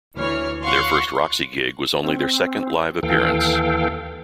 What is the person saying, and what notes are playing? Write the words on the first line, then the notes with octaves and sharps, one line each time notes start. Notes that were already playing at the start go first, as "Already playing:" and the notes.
Their first Roxy gig was only their second live appearance.
D2 E3 C#5 F6
F5 F#5 C6 C#6
C4
D#2 E3 A4 F5 G5